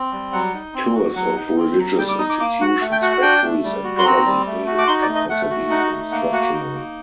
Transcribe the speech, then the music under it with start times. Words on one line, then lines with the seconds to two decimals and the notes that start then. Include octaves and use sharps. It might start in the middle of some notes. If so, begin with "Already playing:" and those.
Tours of religious institutions, factories, and government buildings can also be instructional.
Already playing: C4
0.12 G3
0.33 F#3 F#5
0.54 D#4
0.74 C4
0.94 F#4
1.15 F#3 F#5
1.36 D#4
1.57 C4
1.77 F#3
1.98 G3 G5
2.09 D6
2.19 D#4 D#6
2.29 D6
2.40 A#3 D6
2.61 F#4 F#5
2.81 A3 F#5
2.91 G5
3.02 F#4 F#5
3.12 F#5
3.22 D4 G5
3.42 A3
3.64 G3
3.84 F#4
3.98 C6
4.05 C4 A#5
4.26 G3
4.46 A3
4.67 F#4
4.78 D6
4.87 D#4 C6
5.02 D5
5.09 A3
5.15 D#5
5.29 A3 F#5
5.50 F#4
5.70 D#4 F#5
5.92 A3
6.12 A#3 F#5
6.32 F#4 F#5
6.53 D#4
6.74 A#3